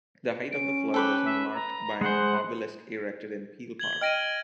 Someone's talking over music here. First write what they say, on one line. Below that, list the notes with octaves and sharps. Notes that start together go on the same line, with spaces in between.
The height of the flood was marked by an obelisk erected in Peel Park.
C#4 D7
A4 B4 G5 D6
E5
A#5
G#3 G#4 C5 F#5
G#6 F#7 G7
D#5 G5 F6 A#6 D7 D#7